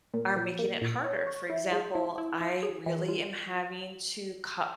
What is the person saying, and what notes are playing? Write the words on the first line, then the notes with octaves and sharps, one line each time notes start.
are making it harder. For example, I really am having to cut
A#2
F3
A#3
A#2
C#5
C#5
E4
G#3
E4
E4
E4
G#4
E3
F4